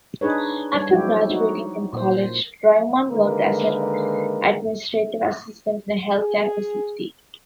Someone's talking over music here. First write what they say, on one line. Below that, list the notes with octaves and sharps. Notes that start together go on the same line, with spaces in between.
After graduating from college, Draiman worked as an administrative assistant in a healthcare facility.
D4 D#4 G#4 B4 C#5
G3 C#5
F3 F#3 G#3 E4 G4
D#4 F#4
A#2 C5
D3 D#3 G#3 A#3 A#4 B4
G#4